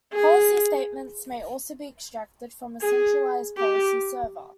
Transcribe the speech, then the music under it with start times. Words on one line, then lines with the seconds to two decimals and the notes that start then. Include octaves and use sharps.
Policy statements may also be extracted from a centralized policy server.
0.13 G#4
2.81 G#4
3.57 G4